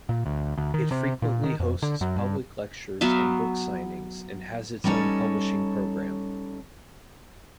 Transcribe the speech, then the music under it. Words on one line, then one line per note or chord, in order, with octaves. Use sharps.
It frequently hosts public lectures and book signings, and has its own publishing program.
A#2
D2
D2
D#3
C3
A#2
D#3
F2
D3
F#2
G2
F#3 B3 E5 F5
G3 C#4 D#4 A4 C#5